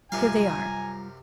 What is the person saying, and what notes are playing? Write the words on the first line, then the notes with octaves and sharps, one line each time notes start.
"Here they are."
F#2 C3 G3 F4 E5 F5 G#5 A#5